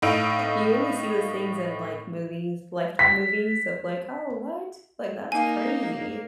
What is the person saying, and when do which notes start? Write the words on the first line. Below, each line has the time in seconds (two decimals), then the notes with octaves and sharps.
you only see those things in, like, movies, Lifetime movies of, like, "Oh, what? Like, that's crazy."
0.02 A2 D#4 F5 E6 D7 F7
2.99 B6
5.32 A#3 D#4 G#5